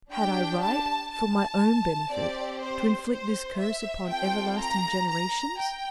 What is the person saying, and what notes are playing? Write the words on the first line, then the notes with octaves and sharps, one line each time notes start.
Had I right, for my own benefit, to inflict this curse upon everlasting generations?
D4 G4 G5
A5
A5
C4 G4 D5
C5
C5
E5
C4 F4 A4 G5
A#5
A#5
G5